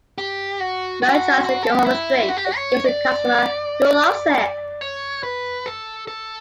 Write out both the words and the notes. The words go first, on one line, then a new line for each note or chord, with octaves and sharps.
Moe tries making Homer's drink, and gives it to a customer, who loves it.
G4
F#4
F#4
F#4
A4
G4
F#4
E4
F#4
G4
F#4
C#5
D5
C#5
B4
A4
A4